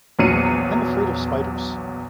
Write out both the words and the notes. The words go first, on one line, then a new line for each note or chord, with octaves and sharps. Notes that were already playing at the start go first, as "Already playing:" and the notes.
I'm afraid of spiders.
A#1 E2 F#3 C7 C#7 D#7